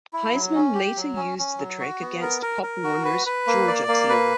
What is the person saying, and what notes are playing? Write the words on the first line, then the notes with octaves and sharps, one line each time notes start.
Heisman later used the trick against Pop Warner's Georgia team.
E4
F#3
C#4
G4
F#3
C#4
C#4
F#3
F#4
B3
A#4
A#4
A#4
F#4
B4
B4
A#3
D5
A#3
B4